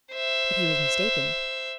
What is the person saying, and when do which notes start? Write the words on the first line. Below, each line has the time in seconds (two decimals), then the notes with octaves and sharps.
But he was mistaken.
0.12 C5 E5